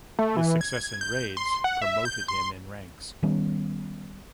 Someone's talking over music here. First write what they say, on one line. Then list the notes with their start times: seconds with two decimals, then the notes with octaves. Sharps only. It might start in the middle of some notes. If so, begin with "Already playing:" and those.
His success in raids promoted him in ranks.
0.19 A3
0.37 E3
0.61 G#6
1.01 G6
1.37 C6
1.64 F#5
1.82 E5
2.05 G6
2.28 C6
3.23 D#3 G3 B3 C#4